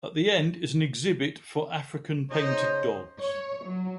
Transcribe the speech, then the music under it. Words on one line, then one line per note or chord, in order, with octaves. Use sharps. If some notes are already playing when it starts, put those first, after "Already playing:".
At the end is an exhibit for African painted dogs.
C#3 D#4 C5 D#5
C#5
F#3